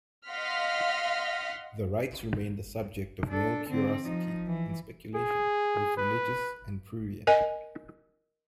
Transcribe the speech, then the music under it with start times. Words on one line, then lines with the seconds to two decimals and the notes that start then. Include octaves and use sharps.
The rites remained a subject of male curiosity and speculation, both religious and prurient.
0.28 D#5 F5 F#5 C6 F6 B6
3.28 D4 A4
3.69 D3 C4
4.02 F3 D#4
4.47 E3
5.15 G#4
5.97 B4
7.27 A#4 D#5 G#5